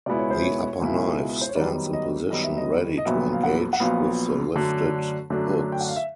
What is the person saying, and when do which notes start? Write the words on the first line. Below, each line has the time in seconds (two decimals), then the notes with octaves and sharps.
The upper knife stands in position ready to engage with the lifted hooks.
0.06 C#2 B2 G#3 B3 E4 D5
0.19 C#5
0.30 C5
0.43 C#5
0.81 C#2 B2 G#3 B3 E4
1.41 C5
1.49 C#5
1.56 F#2 D#3 G3 B3 D5
1.93 D#5
2.30 F#2 D#3 G3 B3 D#5
2.43 E5
2.57 D#5
2.98 D#5
3.05 A#1 A#2 F#3 B3 E5
3.33 F5
3.43 F#5
3.73 F#5
3.80 A#1 A#2 F#3 B3 F5
4.55 F#2 D3 F#3 A3 D4
5.30 F#2 D3 F#3 A3 D4
5.72 G5
5.81 F#5
5.88 F5
5.96 E5